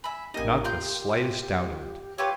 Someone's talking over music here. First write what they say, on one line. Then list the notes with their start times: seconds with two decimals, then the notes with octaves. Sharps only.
"Not the slightest doubt of it."
0.04 E5 G#5 B5
0.34 A1 A#3 D#4 G4 D#5 G#5
0.64 F4 A#4 C6 G6
2.18 E4 F4 G4 B4 C#5 G5